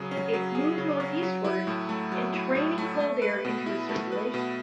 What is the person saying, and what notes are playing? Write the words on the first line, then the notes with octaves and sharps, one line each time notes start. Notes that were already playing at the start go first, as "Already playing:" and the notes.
It moved northeastward, entraining cold air into its circulation.
Already playing: C#3 F#3 G#4
C#4
F#3
G#4
C#3
C#4
F#3
E4
A2
A3
F#3
E4
A2
A3
A3
B4
B2
E4
A3
B4
B2